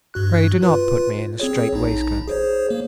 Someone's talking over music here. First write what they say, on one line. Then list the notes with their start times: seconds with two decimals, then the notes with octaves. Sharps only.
Pray do not put me in a strait-waistcoat.
0.14 G2 F#4 F#6
0.62 F4 B4
1.40 C4 G#4 C#5
1.73 A#1 D#4
2.28 G#4 C5 C#5
2.70 A#3